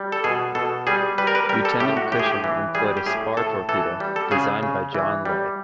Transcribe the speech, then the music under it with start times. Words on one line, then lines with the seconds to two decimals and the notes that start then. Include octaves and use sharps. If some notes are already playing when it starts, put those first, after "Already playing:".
Lieutenant Cushing employed a spar torpedo designed by John Lay.
Already playing: G3
0.12 A4
0.24 B2 G#4
0.55 B2 A4
0.87 G3 G#4
1.18 G3 B4
1.27 A#4
1.35 B4
1.49 G3 A#4
1.65 A4
1.80 A2 G4
1.97 F#4
2.12 A2 G4
2.19 G#4
2.26 G4
2.44 E3
2.75 G3 G#4
2.97 G4
3.06 A2 G#4
3.37 A2 A4
3.69 E3 A4
4.00 G3
4.16 A4
4.31 C#3 G#4
4.63 C#3
4.94 E3
5.25 G3